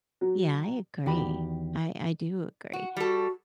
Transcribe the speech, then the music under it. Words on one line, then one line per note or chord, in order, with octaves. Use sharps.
Yeah, I agree. I I do agree.
F#3
E2 D#3 F#4 G4 D5 B5
F#4
G3 F#4 A4